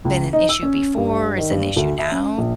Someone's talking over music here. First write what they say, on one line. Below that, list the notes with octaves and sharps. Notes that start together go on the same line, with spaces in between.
been an issue before, is an issue now
C#2
D#4
E6
C#4
G2
D#3
G2
D2
E5
C#4
A#1